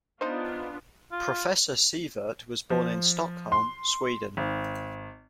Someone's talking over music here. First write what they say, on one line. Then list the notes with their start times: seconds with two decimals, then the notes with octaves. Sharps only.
Professor Sievert was born in Stockholm, Sweden.
0.21 B3 D4 D#4 F4 C5
1.12 F4
2.70 F3
3.52 C6
4.37 G#1